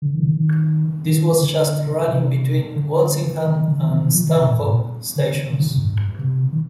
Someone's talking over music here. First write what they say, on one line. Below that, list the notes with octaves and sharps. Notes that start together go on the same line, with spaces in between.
This was just running between Wolsingham and Stanhope Stations.
D3
D#3
D3
D#3
D#3
D#3
D3
C3
D3
D#3
D#3
D3
D#3
D#3
D#3
F3
D#3
C3
A#2
G#2
A#2
D3
D3
D#3
D3
C3
G2
G#2
G2
C3
D#3